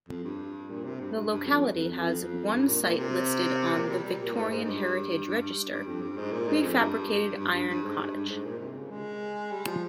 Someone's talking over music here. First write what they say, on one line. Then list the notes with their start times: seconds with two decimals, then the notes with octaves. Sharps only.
The locality has one site listed on the Victorian Heritage Register, Prefabricated Iron Cottage.
0.09 F2
0.24 G2
0.70 A#2
0.85 C3
1.00 G2
1.16 G2
1.30 G2
1.46 F2
1.76 F2
1.91 F2
2.06 F2
2.22 F2
2.52 G2
2.67 A#2
2.83 A#2
2.98 C3
3.74 A#2
3.89 G3
4.04 G3
4.19 A#2
4.35 G#2
4.50 G#2
4.65 G2
5.26 G2
5.41 G2
5.71 G2
5.87 F2
6.02 G2
6.17 G#2
6.32 A#2
6.48 G#2
6.62 F2
6.78 G2
7.39 G2
7.54 G2
7.69 G2
7.84 G#2
8.00 G2
8.15 G2
8.30 G#2
8.45 A#2
8.60 C3
8.76 C#3
8.91 G#3
9.52 G3
9.66 F3